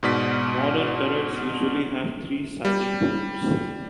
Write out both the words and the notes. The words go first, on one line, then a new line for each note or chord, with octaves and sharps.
Modern turrets usually have three sighting-hoods.
G#2 B2 D5 B6
G3